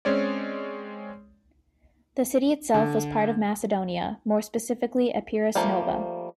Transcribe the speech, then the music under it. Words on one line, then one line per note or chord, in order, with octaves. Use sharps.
The city itself was part of Macedonia, more specifically Epirus Nova.
G#3 C4 C#4 C#5 D5
D3
F3 G3 A3 A#3